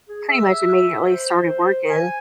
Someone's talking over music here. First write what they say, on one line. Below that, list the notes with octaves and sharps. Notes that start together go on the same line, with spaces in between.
Pretty much immediately started working,
G#4
E5
C5
G#5